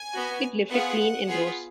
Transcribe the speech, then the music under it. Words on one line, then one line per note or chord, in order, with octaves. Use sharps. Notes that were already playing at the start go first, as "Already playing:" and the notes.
It lifted clean and rose.
Already playing: G#5
B3 F#4
B3 F4 G#4 F#5
B3 F4 G#4